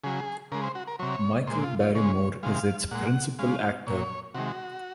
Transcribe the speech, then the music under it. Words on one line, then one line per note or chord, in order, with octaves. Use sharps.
Michael Barrymore is its principal actor.
C#3 F#3 G#4
C#3 G#3 A#4
C5
F#4
A#4
C3 F#3 C#5
A#2 G#3 C5
F4
F4
C#3 G#3 C#5
C3 D#3 G#3 F5
A#2 G#3 F#5
C#3 G#3 F5
A#2 F#3 C#5
C3 D#3 G#3 F#4